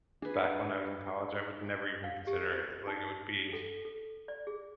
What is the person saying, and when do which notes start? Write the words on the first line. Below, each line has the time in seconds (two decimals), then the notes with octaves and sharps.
back when I was in college, I would never even consider it, like, it would be
0.22 D4 G#4 B4
2.04 F5
2.27 G4
2.52 C5
2.87 D#4
3.53 A4
3.85 A4
4.28 D5
4.47 G#4